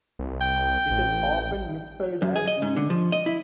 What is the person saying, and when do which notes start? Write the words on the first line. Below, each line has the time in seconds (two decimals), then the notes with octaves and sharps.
It is often misspelled as "lead".
0.19 C2
0.41 G5
0.91 A1
2.22 F#2
2.36 G#4
2.48 D#5
2.62 G#2
2.76 D3
2.90 F3
3.12 D#5
3.26 E4